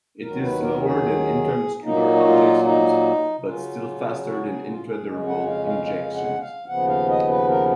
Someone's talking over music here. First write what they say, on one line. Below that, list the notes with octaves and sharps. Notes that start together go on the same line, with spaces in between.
It is slower than intramuscular injections but still faster than intradermal injections.
D#2 D#3 F#3 A#4
B4
A#4
G#4
A#2 F#3 A#3 D#4
F#4
F4
D#4
C#3 F#3 C#4 F4
F#4
G#4
F4
G#4
F2 C#3 G#3 C#4
F#5
F5
F5
F5
F#5
F5
D#2 C#3 F3 B3 F#5
F5
D#5
B4
A#4